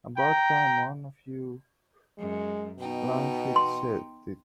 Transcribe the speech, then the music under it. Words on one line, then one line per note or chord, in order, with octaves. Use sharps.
About time one of you lunkheads said it.
G5 A#5
F#2 G#3
B2 B3 D#4 G5
C6